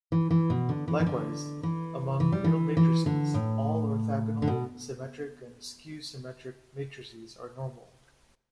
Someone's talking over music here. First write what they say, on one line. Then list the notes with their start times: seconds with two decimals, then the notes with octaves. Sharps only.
Likewise, among real matrices, all orthogonal, symmetric, and skew-symmetric matrices are normal.
0.12 E3
0.31 E3
0.50 B2
0.69 D3
0.88 E3
1.00 E3
1.07 D3
1.63 E3
2.20 E3
2.32 G3
2.44 E3
2.77 E3
3.06 D3
3.34 A2
4.42 D3
4.48 B2